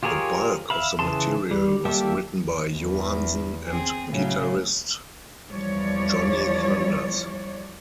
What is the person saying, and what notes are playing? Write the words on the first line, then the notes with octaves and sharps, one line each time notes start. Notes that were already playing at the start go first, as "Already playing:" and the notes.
The bulk of the material was written by Johansen and guitarist Johnny Thunders.
F4 G4 G#4 A#4 C#5
E5 F5 B5
C#3 E3 G#4 A5 C6
G3
G3 A#3 G4 A4 E5
E2
C4 G#4
A2 C#3 F#3
E2 E3 F3 G3 C#5 D5